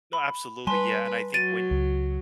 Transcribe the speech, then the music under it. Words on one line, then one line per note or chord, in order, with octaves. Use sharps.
no, absolutely, yeah, and I think when
B5
G3 B4 G#5 A5 C6
F#3 A6 D7 D#7
C#2